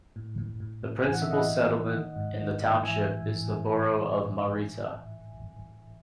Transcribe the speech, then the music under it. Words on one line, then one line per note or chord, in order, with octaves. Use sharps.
The principal settlement in the township is the borough of Marietta.
A2
A2
A2
A2
E3 G#5
F#5
E5
E3 D#5 F#5
A2
E3
D#3
G#2
D#3
G#2
E3 E5 G#5
A2
E3
A2